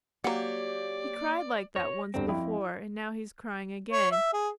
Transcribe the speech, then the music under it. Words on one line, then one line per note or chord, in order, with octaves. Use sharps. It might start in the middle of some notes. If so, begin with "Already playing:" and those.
He cried like that once before, and now he's crying again!
F#3 A#3 G4 C#5 D5 F#5
C#5 A#6
G1 D2 G2 C4
F2 E4 G5 B5
C#5
E5
G#4